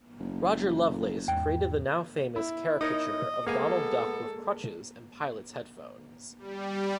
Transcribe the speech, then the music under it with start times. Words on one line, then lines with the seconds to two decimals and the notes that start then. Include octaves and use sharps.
Rodger Lovelace create the now-famous caricature of Donald Duck with crutches and pilot's headphones.
0.20 F#1
1.28 E2 G#2 G5
2.36 E4
2.81 D#4 A#4 C#5 D#5
3.47 G#3 A#3 B3 A4 F5 G#5
6.38 G3